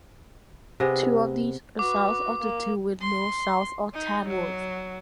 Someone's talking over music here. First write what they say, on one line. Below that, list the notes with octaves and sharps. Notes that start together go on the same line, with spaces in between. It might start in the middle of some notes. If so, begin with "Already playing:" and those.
Two of these are south of the two windmills south of Tadworth.
C3 B3 G#4 D#5
F#4 B4 D6
A#3
C6
D#4
F#3